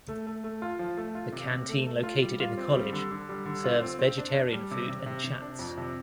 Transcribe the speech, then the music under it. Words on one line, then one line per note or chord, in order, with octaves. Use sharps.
The canteen located in the college serves vegetarian food and chats.
A3
A3
A3
F4
F3
A3
F4
C3
C3
A3
A3
F4
G3
F4
C4
G3
D3
D3
G3
D3
F4
C4
C4
D4
D4
G3
C3
C3
C3
C3
D4
F2
C3